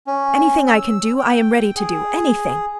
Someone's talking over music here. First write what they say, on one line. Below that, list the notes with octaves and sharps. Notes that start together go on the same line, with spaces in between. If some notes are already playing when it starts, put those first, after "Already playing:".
Anything I can do, I am ready to do anything!
C#4
E6
G5
G#4